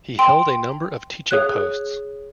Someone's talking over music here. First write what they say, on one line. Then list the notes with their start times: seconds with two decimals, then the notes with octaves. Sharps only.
He held a number of teaching posts.
0.19 G5 C6 D7
1.31 G#4 C#5 F#6